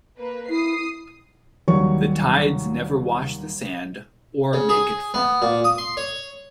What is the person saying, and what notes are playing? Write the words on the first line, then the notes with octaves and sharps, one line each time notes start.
The tides never wash the sand or make it firm.
A#3 B4
E4 D#6 C7
D#2 F#3 G3 C#5 C#6
C#3
G#4
B3
A#2
D#6
C6
C#5